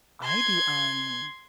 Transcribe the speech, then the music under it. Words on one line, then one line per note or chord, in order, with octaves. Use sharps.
I do, um
C6 G#6